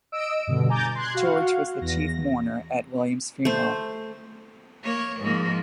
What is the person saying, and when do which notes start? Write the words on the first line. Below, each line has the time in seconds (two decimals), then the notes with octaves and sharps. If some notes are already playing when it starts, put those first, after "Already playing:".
George was the chief mourner at William's funeral.
0.12 D#5 E6 D7
0.47 G2 B2 D3
0.69 G#5 A#5 D6 G6 A6
0.95 C6 F#6 G#6
1.14 F#4 F5 F#5
1.81 E2 A#6
3.45 A3 C5
4.83 A#3 C#5
5.20 G#2 F3 A#3